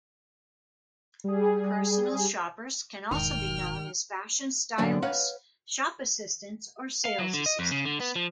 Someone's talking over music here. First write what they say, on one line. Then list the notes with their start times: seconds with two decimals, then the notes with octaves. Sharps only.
Personal shoppers can also be known as fashion stylists, shop assistants, or sales assistants.
1.24 G3 G#4
3.11 E1 G#2 D#3 G5 F6
4.78 D3 F#3 A#3 D5 G#5
5.02 B4 C#5 F5 F#5
7.05 F5
7.18 F#3
7.34 D3
7.46 D#5
7.59 F2
7.71 C#3
7.85 D3
8.00 B3
8.16 F3